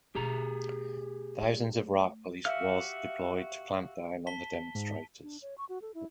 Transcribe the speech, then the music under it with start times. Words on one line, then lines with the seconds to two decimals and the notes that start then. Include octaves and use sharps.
Thousands of riot police was deployed to clamp down on the demonstrators.
0.15 B2 A3 G4 G#4 A#5
1.42 A3
2.45 F#4 G4 E5 F5 F6
4.27 A5 B6 G7
4.75 G#2
5.22 D4
5.42 C#5
5.58 C#6
5.69 F#4
5.82 A4
5.94 E4